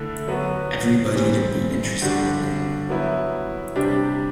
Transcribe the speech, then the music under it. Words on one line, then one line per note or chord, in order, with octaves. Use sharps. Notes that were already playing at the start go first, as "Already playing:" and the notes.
Everybody'd be interested in him.
Already playing: D3 A3 E4
F#3 B3 F#4
G2 E3 G3 C4
G2 D3 G3 D4 F#4
F#3 B3 E4
C3 G3 D4 G4